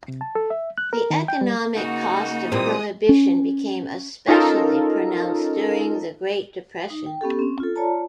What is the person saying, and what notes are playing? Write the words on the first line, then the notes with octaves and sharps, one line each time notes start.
The economic cost of Prohibition became especially pronounced during the Great Depression.
C3
A5
A4
E5
F#6
A#4
D#3
G5
G3
C#3 A#3 D#4 F#4
A#2 E3 C4 D#4 G4 D#6
C#4
C#4 D#4 F4 A4 A#4
D#4
G5
B3 C#4 G4 A4
C4 C#4
F4 A4
F4 C#5 D5 A5 A#5